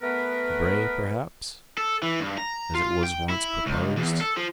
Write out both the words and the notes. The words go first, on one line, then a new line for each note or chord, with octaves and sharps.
Debray, perhaps, as it was once proposed.
A3 B3 A#4 B4
A4
E3
G2
A#5
F4
G5
E4
C#2
E2
A4
F3